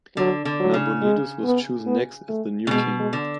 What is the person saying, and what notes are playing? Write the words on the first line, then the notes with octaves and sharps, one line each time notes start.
Nabonidus was chosen next as the new king.
D3 F#3
D3
F#3
C#3
G#3
B3
B3
A3
C#3
B2 G#3
G#3
D3